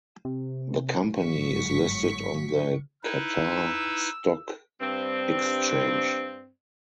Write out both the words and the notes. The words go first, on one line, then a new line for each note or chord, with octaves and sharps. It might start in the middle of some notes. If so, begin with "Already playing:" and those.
The company is listed on the Qatar Stock Exchange.
C3
G1 G#2 F#3 C#6 B6
D#4 E4 B4 E6
G2 C4